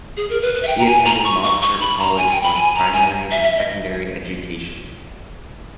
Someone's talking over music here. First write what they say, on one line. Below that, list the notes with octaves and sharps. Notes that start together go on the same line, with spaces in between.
He attended Montfort College for his primary and secondary education.
G#4
A#4
B4
B4
E5
G5
A#5
G#5
A#5
C#6
C#6
C#6
B5
A#5
G#5
G5
B5
G#5
A#5
G#5
E5
E5
D#5